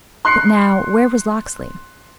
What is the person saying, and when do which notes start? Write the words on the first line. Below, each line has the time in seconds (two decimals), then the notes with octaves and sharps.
"But now, where was Locksley?"
0.25 C6 F#6 C7 C#7